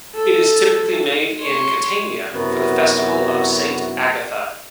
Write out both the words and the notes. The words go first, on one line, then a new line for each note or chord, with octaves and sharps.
It is typically made in Catania for the festival of Saint Agatha.
A4
C#5 C6
F#2 C3 B3 E4 F#4